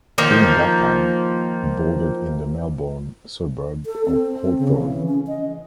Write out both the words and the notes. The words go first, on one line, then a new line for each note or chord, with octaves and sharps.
During that time he boarded in the Melbourne suburb of Hawthorn.
D#3 F3 A#3
A4
C4
C#3
E3
C#4
D#5